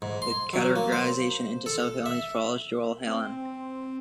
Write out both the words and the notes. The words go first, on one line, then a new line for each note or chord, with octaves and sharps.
The categorization into subfamilies follows Joel Hallan.
G#2
C6
F#3
A#3
C5
A4
E5
C4